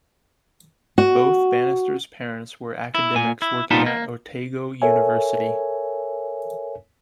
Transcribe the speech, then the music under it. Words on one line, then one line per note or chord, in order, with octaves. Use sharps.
Both Bannister's parents were academics working at Otago University.
F#4
E4
A#2 G#5
E4
A#2 G3 B3 D#4 F4 A5
A#3
A4 A#4 C#5 E5 G#5